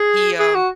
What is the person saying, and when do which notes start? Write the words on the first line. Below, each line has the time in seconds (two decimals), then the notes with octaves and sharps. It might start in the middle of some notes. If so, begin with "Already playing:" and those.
he, um
Already playing: G#4
0.39 G#4
0.55 F#4